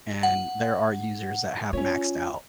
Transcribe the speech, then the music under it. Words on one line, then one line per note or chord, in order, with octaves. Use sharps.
and, there are users that have maxed out,
F#5
C#4 E4 F4 C#5